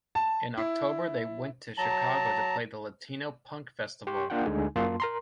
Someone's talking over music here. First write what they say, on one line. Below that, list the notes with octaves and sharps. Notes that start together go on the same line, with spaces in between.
In October they went to Chicago to play the Latino Punk festival.
A5
E4
F#3 A5 A#5
G4 C6 C#6
A#3 D4 F4 F#5 G5
D2 D3 G#3 D#4 G#5
F#2 A#3 F4 A5 C6
A#4 A#5 C6